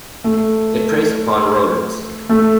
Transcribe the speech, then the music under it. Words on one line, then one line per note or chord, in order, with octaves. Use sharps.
It preys upon rodents.
A3
A3